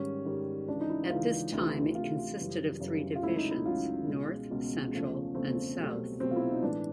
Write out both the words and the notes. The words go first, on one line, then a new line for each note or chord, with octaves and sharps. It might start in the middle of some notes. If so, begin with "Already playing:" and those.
At this time it consisted of three divisions: North, Central and South.
Already playing: G#2 D#3 G3 C#4
G#2 D#3 G3
C#2 C#3 E3 D4
D#4
E4
C#2 C#3 E3 F4
D2 C3 E3
D2 C3 E3 F4
F4
F#2 C#3 E3 G3
F#2 C#3 E3 G3
F4
C#2 C#3 F#3 A3 E4
D#4
E4
C#2 C#3 F#3 A3 F4
C#2 B2 G#3
C#2 B2 G#3
E2 C#3 F3 A3
E2 C#3 F3 A3 C4
C2 B2 F#3 A3
C2 B2 F#3 A3 C4
F4
E4
F4
D#4
A2 E3 G#3 D4